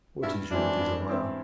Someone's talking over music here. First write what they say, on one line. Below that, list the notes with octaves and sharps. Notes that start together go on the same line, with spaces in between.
"What is your desire?"
G2 E4
E3 G#3 C4 D4 E4
G2
E3 G#3 C4 E4